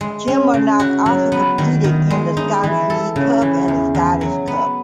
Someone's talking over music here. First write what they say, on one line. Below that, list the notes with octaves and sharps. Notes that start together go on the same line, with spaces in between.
Kilmarnock also competed in the Scottish League Cup and the Scottish Cup.
G#3
C#4
C#3
F#4
F#3
B3
D#3
D#3
G#3
D#4
E3
A4
C#3
E3
E2
E2
F#3
B3